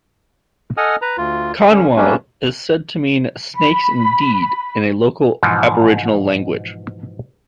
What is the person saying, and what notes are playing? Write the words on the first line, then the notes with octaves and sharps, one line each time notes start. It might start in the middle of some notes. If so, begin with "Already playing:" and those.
"Kanwal" is said to mean "snakes indeed" in a local Aboriginal language.
A4 D#5 F#5 G#5 D#6 F6
B4 A#5
D2 F4
D3 C#4
F#3 G3 A3 A#3 C#4 D4
B5
G#2 B2 E3 F3